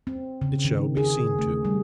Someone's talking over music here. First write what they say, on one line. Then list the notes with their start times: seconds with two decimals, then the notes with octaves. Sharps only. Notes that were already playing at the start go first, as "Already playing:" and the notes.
It shall be seen to.
0.07 C4
0.41 C#3
0.65 D#3
0.97 G#4
1.39 A3
1.65 G3